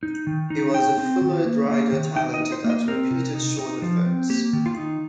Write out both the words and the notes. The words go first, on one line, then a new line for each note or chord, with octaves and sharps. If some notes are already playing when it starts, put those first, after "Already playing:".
He was a fluid rider talented at repeated short efforts.
D#4
D#3
D#4
D#4 G5
C4
D#3
A#3
A#3
D#3
D#4 G5
D#5
D#4
C5
A#3
D#5
C4 A#4
C3
D#4
D#4
F3
C4
A#3 G4
D#3
F4
D#4